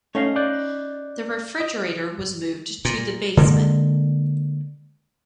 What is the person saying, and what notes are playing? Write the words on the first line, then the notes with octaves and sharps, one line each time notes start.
The refrigerator was moved to the basement.
A3 C#4 D#4 F5
D5 F#6 G6
D#5
A#2
D3 G#3 A#3